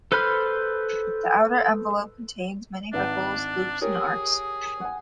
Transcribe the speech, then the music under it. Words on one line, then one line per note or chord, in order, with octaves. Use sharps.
The outer envelope contained many ripples, loops, and arcs.
A4 B4 C5 B5 F6
G#1 D4 B4 F#5
G4 G#4 A#4 C#5
F#5 G#5